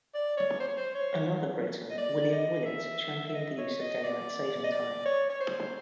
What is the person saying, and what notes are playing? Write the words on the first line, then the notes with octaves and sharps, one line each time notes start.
Another Briton, William Willett championed the use of daylight saving time.
D5
C#5
C5
C#5
C5
C#5
D#5
D5
D#5
E5
D#5
C#5
D#5
D5
D#5
D5
C#5
C#5
C5